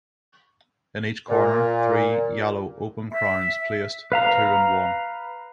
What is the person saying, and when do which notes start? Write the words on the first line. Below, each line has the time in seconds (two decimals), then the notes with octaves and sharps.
In each corner three yellow open crowns placed two and one.
1.29 A#2
3.12 E5
4.12 B4 F5 A#5